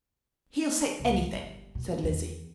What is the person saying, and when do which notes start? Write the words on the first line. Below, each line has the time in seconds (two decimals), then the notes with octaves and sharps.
"He'll say anything," said Lizzie.
1.00 C#2
1.32 G1
1.75 B2
1.87 A#2
2.03 E2